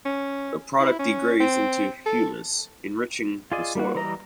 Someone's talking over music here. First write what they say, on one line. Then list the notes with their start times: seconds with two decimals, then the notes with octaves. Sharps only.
The product degrades into humus, enriching the soil.
0.05 C#4
0.79 E4
0.99 C#4
1.40 C4
2.06 A4
3.52 F4 G#4 D5 D#5
3.75 G3 A#3 F#4
3.95 E3 G3 D#5 A#5